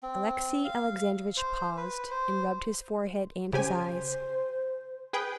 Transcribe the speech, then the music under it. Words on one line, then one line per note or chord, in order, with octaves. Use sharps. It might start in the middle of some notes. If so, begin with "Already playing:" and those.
Alexey Alexandrovitch paused, and rubbed his forehead and his eyes.
C4
F5
C5
B4
C5
C#3 G4 C5 G#5
G#4 B4 G5